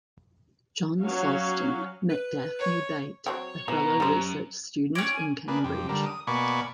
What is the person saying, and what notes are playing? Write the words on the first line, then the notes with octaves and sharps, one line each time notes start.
John Sulston met Daphne Bate, a fellow research student in Cambridge.
F#3 C#4 F5
B4
C#5
F#3 C4 C#5 G5
B2 E3 A#5
F#2 G3 C5
C#4 D5 G#6
G#5
A#3 D4 G#4 B4
F2 G4
D3 G3 A#4
D#6
B2 A#3 D5 G#5 B5 C#6